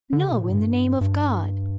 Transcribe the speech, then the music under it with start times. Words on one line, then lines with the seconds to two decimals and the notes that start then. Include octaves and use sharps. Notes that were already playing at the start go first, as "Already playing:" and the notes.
No, in the name of God!
0.13 D3
0.23 C#3
0.32 A#2
0.40 A2
0.50 G2
1.01 G2